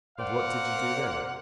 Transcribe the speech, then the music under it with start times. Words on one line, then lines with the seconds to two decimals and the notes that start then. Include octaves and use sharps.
"And what did you do then?"
0.19 A#4 C5 D5 F5 F#5